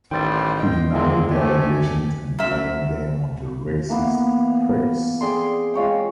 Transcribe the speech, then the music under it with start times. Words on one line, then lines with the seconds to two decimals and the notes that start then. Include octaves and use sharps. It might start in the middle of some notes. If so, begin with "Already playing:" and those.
He denied the allegations and blamed them on the racist press.
0.11 A1 D#3 G3 C5 G5 A6
0.59 D#5 G5 C6
0.94 F#2 D3 D#3 G#3 A#3 C4 F4
1.30 A3 G4 D5 G#5
2.39 F#2 E5
3.89 E3 A#3 B3
5.21 C4 G#4 D5 C6
5.74 G#3 F4 C#5 G5